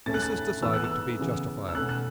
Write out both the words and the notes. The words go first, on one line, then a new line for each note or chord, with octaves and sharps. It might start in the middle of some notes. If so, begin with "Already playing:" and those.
This is decided to be justifiable.
A2 A3 C#4 A6
F#6
A6
A2 E3 B3 E6
F#6
E6
C#3 E3 B3
E6
B2 A3 C#4 F#6
F#6